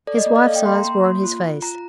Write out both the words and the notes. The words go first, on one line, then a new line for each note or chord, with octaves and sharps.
His wife's eyes were on his face.
A4 D5
D#5
A#3 D5
D#5
A4 F5
G5
A#3 C6
A#5
A#3 C6
A#3
F4
F4
F4 A#5